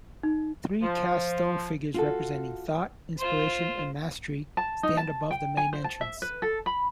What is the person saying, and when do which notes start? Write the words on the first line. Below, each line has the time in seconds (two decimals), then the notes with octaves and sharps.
Three cast stone figures representing "Thought," "Inspiration," and "Mastery" stand above the main entrance.
0.23 D#4
0.82 F3
1.94 F4 F#4 A4
3.18 F4 C5
4.57 A5
4.83 D#4
4.97 A5
5.31 G5
5.57 G#5
5.73 C5
5.84 A5
6.01 E5
6.22 B4
6.42 A4
6.66 B5